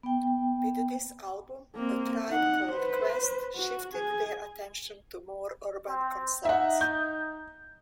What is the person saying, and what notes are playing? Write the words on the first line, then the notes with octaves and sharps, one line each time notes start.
With this album, A Tribe Called Quest "shifted their attention to more urban concerns".
B3 G5
A#3 C4
D#4 F#5
B4 C5
F#4
G#4 G#5
C4
D#4 E5 F#5
G6